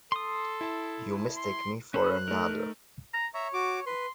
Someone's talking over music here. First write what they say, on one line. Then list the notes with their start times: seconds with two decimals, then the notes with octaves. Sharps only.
You mistake me for another.
0.12 A4 C6 D#6
0.61 E4 A5
1.37 C6
1.94 C#4 A4 C5 B5 F#6
2.28 A3 D#4 A#4
3.14 A#5
3.34 C#5 E5 A#5
3.54 F#4 D6
3.86 B4 C6